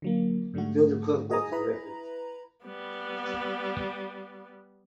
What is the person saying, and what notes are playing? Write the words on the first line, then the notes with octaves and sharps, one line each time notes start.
Fielder Cook was the director.
D3 F#3 A#3
G#2 D3 G3 A3 F#4
F#4 G#4 D#5 G#5 A#5 D#6
E4 B4 A#5 B5
G3 B3